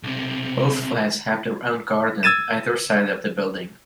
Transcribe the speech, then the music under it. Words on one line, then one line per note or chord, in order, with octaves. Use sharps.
Both flats have their own garden either side of the building.
B1 C3
E6 G#6 A6 D#7 E7